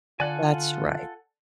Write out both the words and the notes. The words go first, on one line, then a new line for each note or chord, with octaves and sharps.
That's right.
D3 F4 A4 D5 F#5 G#5